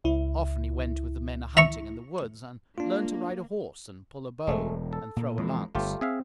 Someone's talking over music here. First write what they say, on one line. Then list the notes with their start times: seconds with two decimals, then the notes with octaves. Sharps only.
Often he went with the men a-hunting in the woods and learned to ride a horse and pull a bow and throw a lance.
0.04 C#2 E4
1.57 E5 A#5 C#6
2.78 A#3 D4 F4
4.47 E1 G#3 A3
4.93 A4
5.16 A#2
5.38 F2 E3 G#3
5.75 G1 A3 F4 G4
6.01 C4 G#4 E5 F5